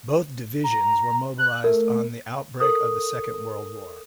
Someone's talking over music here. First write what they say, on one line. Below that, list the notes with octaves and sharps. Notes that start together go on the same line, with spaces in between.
Both Divisions were mobilised on the outbreak of the Second World War.
A#5
F#6
A3 A#4
A4 A#4 D#6